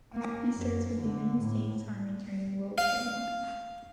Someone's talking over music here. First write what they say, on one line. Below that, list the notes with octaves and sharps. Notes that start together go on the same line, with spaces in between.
He served with the United States Army during World War One.
A#3
F#2
D3
A2
F5